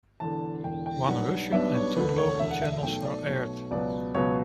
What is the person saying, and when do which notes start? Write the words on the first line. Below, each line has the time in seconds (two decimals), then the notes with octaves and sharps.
One Russian and two local channels are aired.
0.20 E1 E2 D3 A5
0.64 E1 E2 D3 G5
0.86 G5
1.07 B1 B2 G3 B3 D4 F#5
1.52 B1 B2 G3 B3 D4 E5
1.74 C#5
1.96 E1 D2 D3 B4
2.18 C#5
2.39 E1 D2 D3 E5
2.50 F#5
2.61 E5
2.73 E5
2.83 B1 B2 A3 G5
3.05 D5
3.27 B1 B2 A3 C#5
3.71 C#2 B2 F#3 B3 D5
4.15 C#2 B2 F#3 B3 C#5